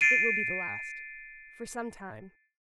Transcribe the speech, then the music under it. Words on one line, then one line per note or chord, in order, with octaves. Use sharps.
"It will be the last--for some time."
A6 C7 D7 D#7